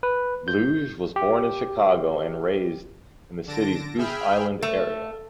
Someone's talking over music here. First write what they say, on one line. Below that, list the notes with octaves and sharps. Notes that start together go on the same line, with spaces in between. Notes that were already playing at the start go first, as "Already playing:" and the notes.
Bluege was born in Chicago and raised in the city's Goose Island area.
B4
G6
G4
D3 A5 A#6 D7
G#4 E5 G5 B5 F6
A3